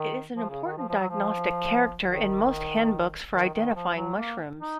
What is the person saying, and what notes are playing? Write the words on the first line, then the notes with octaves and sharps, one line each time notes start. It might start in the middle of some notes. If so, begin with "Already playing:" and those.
It is an important diagnostic character in most handbooks for identifying mushrooms.
Already playing: D#3
F3
C#3
D#3
F3
F3
F#3
F3
D#3
D#3
D#3
F3
F3
F#3
A#3
D#4